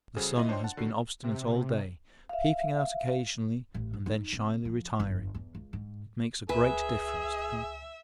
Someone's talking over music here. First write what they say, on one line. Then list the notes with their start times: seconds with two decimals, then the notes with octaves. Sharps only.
The sun has been obstinate all day, peeping out occasionally and then shyly retiring; it makes a great difference to comfort.
0.16 C#3 G3 F#4 G#4 A4 C5
0.36 E4 F4 D#5
0.49 D4 C5 C#5 D#5 G5 C6
0.64 F#5 A5
0.77 D3 D#3 F#4 C7
1.23 C3
2.29 E5 F5
3.74 A1
3.93 D#4
4.06 D#4
4.33 C3
4.65 F3
5.00 G1
5.34 E2
5.55 C#2
5.73 G#2
6.49 C#2 G#4 B4 E5 G#5